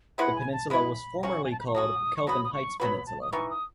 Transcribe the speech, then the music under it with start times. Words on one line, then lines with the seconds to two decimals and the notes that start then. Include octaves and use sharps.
The peninsula was formerly called Kelvin Heights Peninsula.
0.18 G#3 B3 E4 B4 F#5
0.36 G#5
0.52 A5
0.70 G#3 B3 E4 B4 B5
1.23 F#3 C#4 F#4 C#6
1.44 G#5
1.51 A5
1.60 B5
1.67 C#6
1.75 F#3 C#4 F#4 D#6
2.16 C#6
2.27 F#3 B3 F#4 B4 D#6
2.44 D#6
2.53 C#6
2.80 F#3 B3 F#4 B4 B5
3.07 A5
3.21 D#6
3.32 E3 B3 D#4 C#6
3.50 D#6